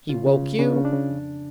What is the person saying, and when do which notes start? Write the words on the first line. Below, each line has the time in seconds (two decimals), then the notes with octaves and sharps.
"He woke you?"
0.09 C#3 F4
0.27 C#3
0.42 C#2
0.59 C#3 D4
0.72 C#3 C#4
0.85 D4
0.93 C#3
1.10 F2